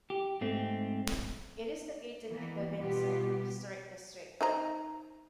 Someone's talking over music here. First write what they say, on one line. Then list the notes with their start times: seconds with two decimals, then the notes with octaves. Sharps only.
It is located in the Vincennes Historic District.
0.10 G4
0.41 G#2 A3 C4
2.28 E3 A#3 B3
2.78 B2 G3 B3 F4 G4
4.41 D#4 C5 A#5